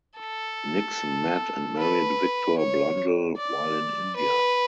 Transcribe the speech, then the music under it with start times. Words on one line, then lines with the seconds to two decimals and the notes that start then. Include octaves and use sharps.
Nixon met and married Victor Blundell while in India.
0.20 A4
1.79 B4
2.58 C#5
3.37 D5
4.16 B4